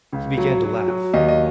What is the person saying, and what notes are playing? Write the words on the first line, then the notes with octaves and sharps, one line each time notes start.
He began to laugh.
C#2
F#3
F#3
F#3
D#2 D#5
D#5